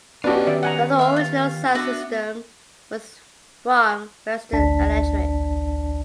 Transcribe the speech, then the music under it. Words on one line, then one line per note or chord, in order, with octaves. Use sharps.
The other original sound system was from Western Electric.
B3 C#4 D4 F#4 G4 D5 D#5 F5
D#3 D5 E5
F#5 G#5 A#5
E5 F5
F4
B3 D4 F#4 E5
A1 D2 D4 D5 A5 B6